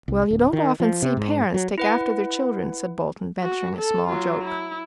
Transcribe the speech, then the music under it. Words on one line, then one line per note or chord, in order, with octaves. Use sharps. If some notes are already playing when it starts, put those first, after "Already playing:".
"Well, you don't often see pairents take after their children," said Bolton, venturing a small joke.
C2
D1
D#3
F3
C3
G#2
F#3
E4 B4 F#5
F#4
A4
F#3 F4
E4